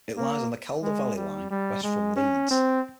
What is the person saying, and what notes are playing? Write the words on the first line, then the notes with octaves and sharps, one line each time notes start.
It lies on the Calder Valley line west from Leeds.
A#3
G#3
G3
G3
G#3
C#4
C4